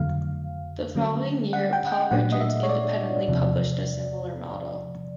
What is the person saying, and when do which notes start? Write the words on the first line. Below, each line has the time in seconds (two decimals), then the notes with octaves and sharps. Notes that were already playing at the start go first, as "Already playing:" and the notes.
The following year Paul Richards independently published a similar model.
Already playing: F2 D3 F#3 A3 F5
0.95 D3 F#3 A3 C#4
1.53 F#5
1.73 G5
1.87 F#5
1.92 G5
2.11 A#2 F#3 A3 D4 F#5
2.32 D#5
2.41 E5
2.63 C#5
2.69 D5
3.28 E2 C3 F3